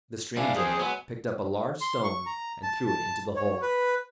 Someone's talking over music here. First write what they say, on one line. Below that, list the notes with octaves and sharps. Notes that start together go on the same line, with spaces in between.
The stranger picked up a large stone and threw it into the hole.
A#1 G3 D4 E4 D5 F5 G#5
F3 C4 G#4 C5
F#3 G#3 B3 G#5
C6
C#6
A#5
A5
A5
C#5
B4